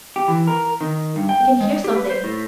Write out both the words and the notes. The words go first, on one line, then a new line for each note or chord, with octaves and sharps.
"I can hear something!"
G4
E3
A#4
D#3
G2
G5
G#3
G4
B4
C5
A2